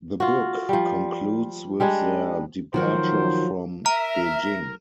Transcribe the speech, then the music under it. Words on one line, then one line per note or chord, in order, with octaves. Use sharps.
The book concludes with their departure from Beijing.
F4 F#4
F3 G3
G3 G#3 D4 G#4
D#3 F3 F#3 F#4 A#4 C5
A#4 E5 A#5